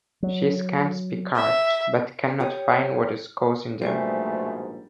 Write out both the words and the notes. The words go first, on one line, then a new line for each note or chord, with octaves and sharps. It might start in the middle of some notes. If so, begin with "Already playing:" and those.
She scans Picard, but can not find what is causing them.
F#3
E5
G4 C#5 D#6
A#1 G#2 B2 G3 A3 C5 G#5